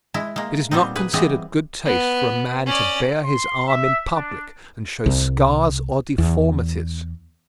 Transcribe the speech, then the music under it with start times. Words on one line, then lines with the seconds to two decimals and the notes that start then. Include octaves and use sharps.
It is not considered good taste for a man to bare his arm in public and show scars or deformities.
0.14 G#3 E4
0.36 G#3 A#3
0.71 A#2 G3 B3 C4 D#4
0.96 G#4 B4
1.13 E3 G3 B3 C4 G#4 D#5
1.85 B3
2.67 C#4 D5
3.24 C6
3.67 E5
4.15 D4
5.06 C2
6.18 E2